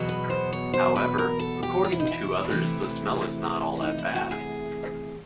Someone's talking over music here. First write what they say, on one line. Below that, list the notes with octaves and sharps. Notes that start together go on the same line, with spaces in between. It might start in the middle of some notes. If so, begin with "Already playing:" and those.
However, according to others the smell is not all that bad.
Already playing: E2 B2 F#3 B3
B4
C5
C#5
C5
B4
A#4
A4
G4
F4
E4
D#4
E4
C3 E3 A3
D#4
E4
F#4
G#4